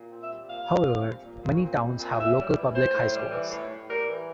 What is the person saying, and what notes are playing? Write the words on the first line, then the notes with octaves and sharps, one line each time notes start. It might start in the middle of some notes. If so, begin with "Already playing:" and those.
However, many towns have local public high schools.
Already playing: A#2
C4
E5
G3
A#2 F5
A#2
C4
G3
A#2
A#2
C4
G3
A#2
A2 E5
G3
E3
A2 C5
A2
G3
E3
A2
A2
G3 A#4
E3